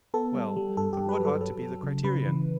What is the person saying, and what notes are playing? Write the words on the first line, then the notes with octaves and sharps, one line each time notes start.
Well, but what ought to be the criterion?
B3 A4
G3
G3
G2 A4
G4
G2
B4
F#3
A4
F#3 A4
F#3
C#3
C#3 B4
E3